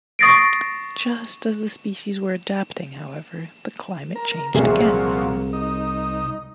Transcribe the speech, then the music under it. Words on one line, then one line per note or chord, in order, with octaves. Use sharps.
Just as the species were adapting, however, the climate changed again.
C#6 D#6 A6 A#6 C7 D7
A#4
C2 A#2 F3 F#3 G#4 E5
D#4